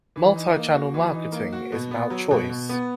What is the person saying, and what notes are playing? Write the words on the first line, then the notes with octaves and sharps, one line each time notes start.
Multichannel marketing is about choice.
E3
D#4
A#3
F#4
E3
D#4
A#3
F#4
B2
B3
F#3
B2
B2
B3